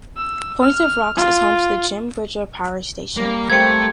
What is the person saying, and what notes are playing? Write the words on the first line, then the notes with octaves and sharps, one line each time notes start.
Point of Rocks is home to the Jim Bridger Power Station.
E6
F6
F4
G3 A#3
A3 A#3 C4 G4 G#6 C#7